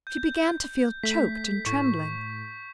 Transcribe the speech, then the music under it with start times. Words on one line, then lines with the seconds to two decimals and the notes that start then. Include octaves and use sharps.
She began to feel choked and trembling.
0.07 G6
1.03 A3 B6
1.66 A2 C#6